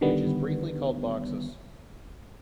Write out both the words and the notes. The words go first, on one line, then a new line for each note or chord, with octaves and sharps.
Which is briefly called Bachsas.
D3 D#3 G3 B3